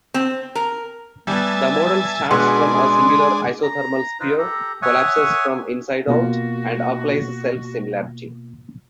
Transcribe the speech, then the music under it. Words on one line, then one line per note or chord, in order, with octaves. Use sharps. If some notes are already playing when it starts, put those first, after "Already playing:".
The model starts from a singular isothermal sphere, collapses from inside-out, and applies self-similarity.
C4
A#4
G3 B3 E5 G#5 A5
B2 G#3 D4 G#4 B4 F#5
A#5
D#4 F4 B4 C5 D#5
G4 A4 A#5
C#5 E5 F#5 G#5 C#6 D#6
B2 A#3 F4 F#4